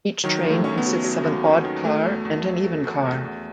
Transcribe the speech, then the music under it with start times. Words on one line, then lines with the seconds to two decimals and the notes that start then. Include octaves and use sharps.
Each train consists of an odd car and an even car.
0.24 D#3 F#3
0.44 D#2
0.50 A3
0.64 C#4
0.78 B3
0.85 F#3
1.04 F#3
1.24 D#2
1.44 C#4
1.64 D#3
1.85 F#3 A3
2.04 E2
2.25 E2
2.44 F#3
2.64 F#3
2.85 E2
3.05 E2
3.25 E2